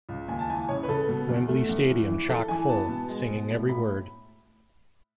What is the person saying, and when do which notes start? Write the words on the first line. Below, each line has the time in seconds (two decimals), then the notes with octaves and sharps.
Wembley Stadium chock full, singing every word.
0.09 C#2
0.28 D#2 G#5
0.39 A5
0.48 E3 G#5
0.69 C#3 C#5
0.83 B4
0.88 C#3 A4
1.08 B2
1.29 E2
1.48 A3
1.69 E2
1.89 E3
2.08 E3
2.28 E3 A4
2.48 E3 G#5
2.69 B3 A5
2.88 B2
3.08 G#3
3.29 B2
3.50 A2
3.69 A2 B5